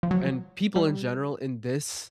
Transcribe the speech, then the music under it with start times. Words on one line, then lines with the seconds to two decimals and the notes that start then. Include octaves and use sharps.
and people in general in this
0.03 F3
0.11 F#3
0.76 G3